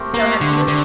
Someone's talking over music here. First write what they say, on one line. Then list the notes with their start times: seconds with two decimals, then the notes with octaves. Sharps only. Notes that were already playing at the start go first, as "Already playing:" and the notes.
So have you
Already playing: A3 C4 G4 A#4
0.14 A#3
0.41 D3
0.68 D3